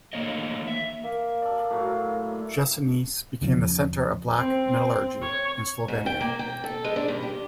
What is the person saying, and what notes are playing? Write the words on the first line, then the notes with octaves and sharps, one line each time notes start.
Jesenice became the center of black metallurgy in Slovenia.
E3 A3 A#3 C#5 D#5
E5
A#3
A4 D5
A2 F#3
E2 C#3 F3 C#4
C4
C#5
G#2
G5
A#3
G5
A4
G#3
D4
G2
G4